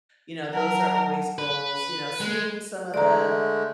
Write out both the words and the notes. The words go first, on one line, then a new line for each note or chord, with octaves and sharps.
you know, those are always goals, you know, seeing some of the
F#3 A#4 F#5 A5
B4
G#3
D3 G#3 A3 D5 A#5